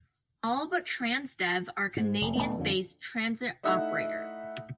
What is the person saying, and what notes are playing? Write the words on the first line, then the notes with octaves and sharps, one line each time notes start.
All but Transdev are Canadian-based transit operators.
G#2
F1
D1 G1 A3 B3
F2 D3 F3
A3 D#4 E4 E5 F#5